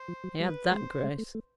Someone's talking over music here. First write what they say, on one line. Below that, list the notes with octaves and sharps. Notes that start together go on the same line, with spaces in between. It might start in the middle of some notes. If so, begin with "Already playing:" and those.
He had that grace.
Already playing: C5
F3
F#3
G3 B4
G#3 C5
G#3
A3
A3